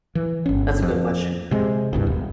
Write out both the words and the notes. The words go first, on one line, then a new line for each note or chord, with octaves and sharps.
That's a good question.
E3
G1 C#4
F2
C3 G#3
E1 C2 G2
E1